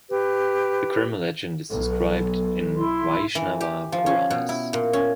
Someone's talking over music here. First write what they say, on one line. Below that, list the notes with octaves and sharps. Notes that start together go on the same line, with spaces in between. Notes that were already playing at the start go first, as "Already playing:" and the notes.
The Kurma legend is described in Vaishnava Puranas.
G4 B4
B1 A4
E4 C6
E3
G4
F3
C#4
B2
E4
A#2
C#4